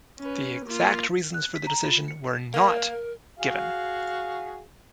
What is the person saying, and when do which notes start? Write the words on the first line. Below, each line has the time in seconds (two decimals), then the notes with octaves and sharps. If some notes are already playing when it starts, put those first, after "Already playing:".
The exact reasons for the decision were not given.
0.20 C#4 B4
0.66 A#3 F4
1.34 F#6
1.56 B6
1.67 A#5
1.85 F4
2.08 C#7
2.54 A#3 A#4
3.39 F#4 G#4 F5